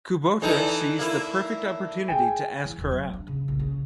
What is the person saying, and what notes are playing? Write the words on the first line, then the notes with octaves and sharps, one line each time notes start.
Kubota sees the perfect opportunity to ask her out.
E3 D#4 A4 D5 A5
A#3 E4
G#4 G5 G#5
E3
E1
F#3
D4
C#3
A#1
C#3